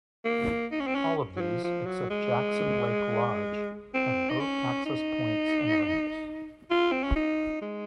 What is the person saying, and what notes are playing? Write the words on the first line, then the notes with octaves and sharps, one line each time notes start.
All of these except Jackson Lake Lodge have boat access points and ramps.
A#3
D#4
C#4
C4
C#4
F#3
F3
F3
F#3
G#3
C4
D#4
C#4
D#4
F4
C4
C#4
D#4
G#3